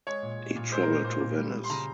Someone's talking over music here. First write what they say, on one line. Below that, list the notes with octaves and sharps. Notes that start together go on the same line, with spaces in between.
He traveled to Venice.
G#3 C#5
A#2
G#3
A#2
G#3 C5
A#4
A#2 C5
A#2 C5
A#2
G3
G3
C6
C#3 A#5